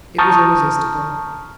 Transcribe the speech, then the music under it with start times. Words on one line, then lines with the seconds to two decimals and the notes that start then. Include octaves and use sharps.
'It was irresistible.
0.18 A5 A#5 C#6 D#6 F6 G6